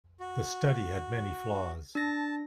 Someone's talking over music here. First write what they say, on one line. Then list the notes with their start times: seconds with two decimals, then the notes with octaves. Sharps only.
The study had many flaws.
0.20 F#4
1.95 D4 A5 A#6